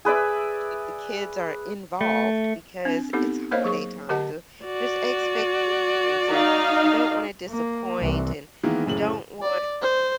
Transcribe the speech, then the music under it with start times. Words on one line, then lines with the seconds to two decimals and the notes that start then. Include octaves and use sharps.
if the kids are involved because it's holiday time, the there's expectations, and you don't wanna disappoint, and you don't want
0.05 G#4 B4 D5 E5
2.01 A3
2.85 C4 D4
3.13 B3 C4 D#4 G4 A4
3.51 A#3 A#4 C5 C#5 D#5 F5
3.64 F#3 G#4 C#6
4.09 D3 G4 A#4 D#5 F#5 A5
4.64 F#4 D5
6.29 D#4 F5
7.49 A#3
8.00 C2 E3
8.64 D#3 E3 G#3 A#3 B3
8.86 D1 F#2 A2 C#3 F#7
9.42 D5
9.82 C5